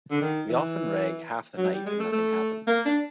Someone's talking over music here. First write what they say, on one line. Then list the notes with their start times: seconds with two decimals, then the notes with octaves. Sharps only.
We often rag half the night and nothing happens.
0.11 D3
0.21 D#3
0.49 E3
1.57 F#3
1.72 G3
1.86 G#3
2.00 A3
2.12 A3
2.67 A#3
2.85 D4